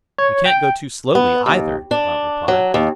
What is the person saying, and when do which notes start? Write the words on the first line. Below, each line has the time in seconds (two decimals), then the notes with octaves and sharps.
"We can't go too slowly, either," Blount replied.
0.18 C#5
0.45 G5
1.15 B3
1.46 D#2
1.91 D4
2.48 F#3
2.74 D#2